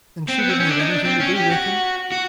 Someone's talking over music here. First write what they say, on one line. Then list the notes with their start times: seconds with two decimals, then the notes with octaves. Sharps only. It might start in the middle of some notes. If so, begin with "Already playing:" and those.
And she wouldn't have anything to do with him.
0.29 C4
0.39 B3
0.49 C4
0.60 C#4
0.69 D4
0.79 D#4
0.90 D4
1.05 C4
1.20 C#4
1.36 G4
1.51 F#4
2.12 F#4